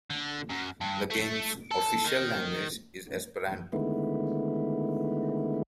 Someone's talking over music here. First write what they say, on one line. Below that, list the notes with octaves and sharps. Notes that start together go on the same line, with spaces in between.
The game's "official language" is Esperanto.
D3
F#2
G2
A3
A4
D#3
D3 D#3 G#3 A3 B3 E4